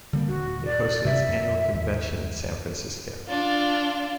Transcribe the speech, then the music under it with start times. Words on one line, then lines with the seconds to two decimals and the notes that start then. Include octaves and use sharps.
It hosted its annual convention in San Francisco.
0.13 D3 G3 A#3
0.28 D#1 F#4
0.65 D5
1.05 C3 E5
1.29 F2
1.74 D#2
3.28 D4 F4